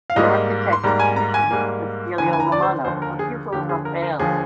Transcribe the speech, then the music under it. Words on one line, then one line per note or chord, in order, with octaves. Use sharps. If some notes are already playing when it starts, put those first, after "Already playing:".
The architect commissioned was Giulio Romano, a pupil of Raphael.
F5
G#2 G3 A#3 D#5
C6
G#2 G3 A#3 A#5
G#5
A#5
G#5
G#2 G3 A#3
D#2 D3 F3 G#5
A#5
G#5
A#5
D5
C5
D#2 D3 F3 C5
A#4
G#4
D#2 D3 F3 G4
G#4
A#4
A#4
D#2 D3 F3 G#4